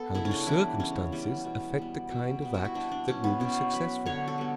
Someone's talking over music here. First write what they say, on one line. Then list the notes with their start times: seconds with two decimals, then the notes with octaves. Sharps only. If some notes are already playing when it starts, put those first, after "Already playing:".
How do circumstances affect the kind of act that will be successful?
Already playing: B3 A4
0.14 C#3 E4
0.25 C#4
0.31 D4
0.47 E3 G3 B3 E4
0.79 C#3 C#4
1.12 E3 G3 B3
1.45 B2
1.78 G3 B3
2.10 B2
2.42 G3 B3
2.54 F#4
2.65 E4
2.75 B2 D4
2.91 D4
3.08 F#3 B3 C#4
3.24 B3
3.40 B2 C#4
3.73 F#3 B3 B4
4.06 D3 C#5
4.28 A4
4.38 G3 B3